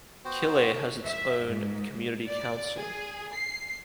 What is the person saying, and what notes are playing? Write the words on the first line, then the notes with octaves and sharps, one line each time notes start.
Killay has its own community council.
B3 F#4 C5 G5
E5
G#2
D5
G#4
C7